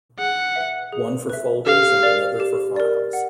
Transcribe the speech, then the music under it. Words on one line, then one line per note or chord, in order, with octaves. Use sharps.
One for folders, and another for files.
G#4 F#5
B4 E5
G#4
B4 E5
G4 F5
A#4 D5
G4
A#4 D5
F#5